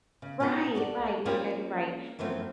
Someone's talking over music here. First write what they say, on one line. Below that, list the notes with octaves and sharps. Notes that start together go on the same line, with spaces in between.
Right, right, no, yeah, you're right,
C#3
B2 F4 B4 G5
F#4 A4 D5
G3 A#3 C4 C#4 F4 G#4
F#2 E3 F3 A3 C4